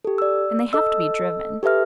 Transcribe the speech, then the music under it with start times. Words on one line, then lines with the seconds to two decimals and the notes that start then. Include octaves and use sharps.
And they have to be driven.
0.05 G4 A4
0.18 D5 E6
0.73 A4 D#5 E6
1.63 G4 A4 B4 E5 F6